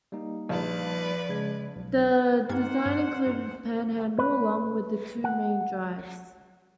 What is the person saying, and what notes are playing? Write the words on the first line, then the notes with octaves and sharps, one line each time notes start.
The design included a Panhandle along with two main drives.
G3 A#3 D#4
A#1 F3 B4 D5
C#3 G#3 G#6
B1
G2 C4 D#4 G4 C5 F#5 F6 G#6
G2
G2
B4
F#5